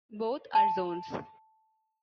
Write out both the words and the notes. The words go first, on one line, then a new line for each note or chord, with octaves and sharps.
Both are zones.
A5